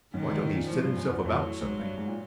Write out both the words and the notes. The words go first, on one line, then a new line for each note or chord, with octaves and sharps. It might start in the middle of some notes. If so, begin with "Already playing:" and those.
Why don't he set himself about something?
F#2 D#3
G#2
A2
A#2
A2 F3
G2
F#2
E2
F2 F#3
A2
G#2
G2
G#2
A#2